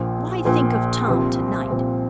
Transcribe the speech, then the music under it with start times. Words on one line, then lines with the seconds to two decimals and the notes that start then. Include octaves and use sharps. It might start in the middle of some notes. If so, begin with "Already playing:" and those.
Why think of Tom to-night?
Already playing: A#1 A#2 F3
0.45 A#1 A#2 F3
1.08 C2 A#2 F3 C4
1.71 C2 A#2 F3 C4